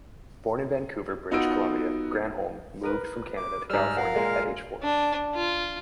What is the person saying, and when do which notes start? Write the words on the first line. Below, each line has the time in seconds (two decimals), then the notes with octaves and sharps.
Born in Vancouver, British Columbia, Granholm moved from Canada to California at age four.
1.31 B3 D#4 F4 F#4 E6 D7
2.83 A#4 B4
3.37 D6
3.70 G#2 G3 E6 F6
3.97 A#4 F5 F#5
4.15 A#2 G#3
4.83 D4
5.35 F4